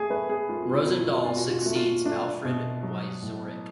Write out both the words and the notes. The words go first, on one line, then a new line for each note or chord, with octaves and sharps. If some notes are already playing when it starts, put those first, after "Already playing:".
Rosendahl succeeds Alfried Wieczorek.
Already playing: A3 G#4
A3 B4
G#4
A3 F4
F#4
F4
B2 F#4
F4
F#4
B2 F4
F#4
F4
A3 F#4
F4
A3 D4
B2
F#3
A2